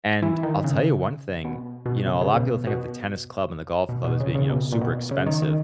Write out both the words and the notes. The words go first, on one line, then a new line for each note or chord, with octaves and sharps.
and I'll tell you one thing, you know, a lotta people think of the tennis club and the golf club as being, you know, super expensive.
E3
D#3
C#3
B2
B2
C#3
C#3
B2
B2
B2
B2
C#3
C#3
B2
A#2
B2
C#3
D#3
D#3